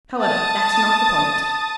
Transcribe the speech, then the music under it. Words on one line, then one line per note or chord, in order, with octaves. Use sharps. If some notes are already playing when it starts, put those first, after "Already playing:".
However, that's not the point.
A5 D#6